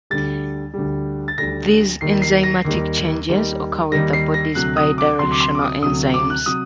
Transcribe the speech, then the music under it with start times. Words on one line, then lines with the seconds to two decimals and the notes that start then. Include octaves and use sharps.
These enzymatic changes occur with the body's bidirectional enzymes.
0.10 D2 D3 G3 A6
0.74 D2 D3 G3
1.28 A6
1.38 D2 D3 G3 A#6
2.01 D#2 D#3 G3 C7
2.22 C7
2.43 A#6
2.65 D#2 D#3 G3
3.29 D#2 D#3 G3
3.92 D#2 D#3 G3 A#6
4.13 C7
4.34 A#6
4.55 D2 C3 F#3 F#6
4.77 D#6
4.98 D6
5.19 D2 C3 F#3 C6
5.32 D6
5.40 C6
5.55 D6
5.61 D#6
5.83 D2 C3 F#3 D#6
6.14 D6
6.30 F#6
6.46 C3 F#3 D#6